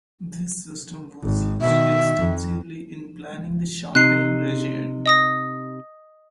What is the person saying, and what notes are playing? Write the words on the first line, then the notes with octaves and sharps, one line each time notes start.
This system was used extensively in planting the Champagne region.
G#1
B2 D#3 E5
F2
C3 D#4 F#6 C7
D#5 D#6 A#6